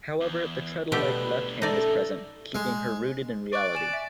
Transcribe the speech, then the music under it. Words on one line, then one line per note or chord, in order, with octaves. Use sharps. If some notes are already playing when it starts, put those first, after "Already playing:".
However, the treadle-like left hand is present, keeping her rooted in reality.
E2
B2 A3 B3 D4 G4 B4
C#4 D#4 A4 D5 E5
G#3
D5 C#6 D6 F#6
G#5 E7
E5